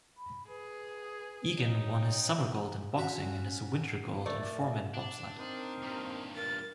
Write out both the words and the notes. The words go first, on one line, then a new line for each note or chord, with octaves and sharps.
Eagan won his summer gold in boxing and his winter gold in four-man bobsled.
B5
G#4 B4
D#4 C#5
G5
C#4 F#4 E5 F5
A3 A#4 D5
D4
C4 D#4 A#4
G2 A#2
A#4 A6